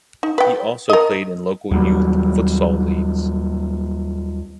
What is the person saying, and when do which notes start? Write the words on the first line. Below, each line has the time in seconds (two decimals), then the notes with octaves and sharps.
He also played in local youth futsal leagues.
0.23 D#4
0.38 B4 G5
0.90 A#4 D#5
1.71 D#2 F#3 G3